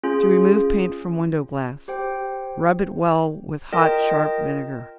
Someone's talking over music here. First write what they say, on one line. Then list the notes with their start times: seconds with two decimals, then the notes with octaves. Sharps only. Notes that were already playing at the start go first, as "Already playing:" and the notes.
To Remove Paint from Window-Glass.--Rub it well with hot, sharp vinegar.
0.03 C#4 F4 G#4
1.88 G4 C5 G5
3.72 F4 A#4 D#5 G5